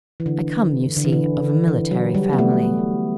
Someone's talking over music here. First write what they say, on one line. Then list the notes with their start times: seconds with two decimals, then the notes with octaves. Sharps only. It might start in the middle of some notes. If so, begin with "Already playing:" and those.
I come, you see, of a military family.'
0.20 E3
0.26 D3
0.97 D3
1.05 E3
1.12 D3
1.68 E3
1.91 F#3
2.15 G3
2.33 B3
2.39 A3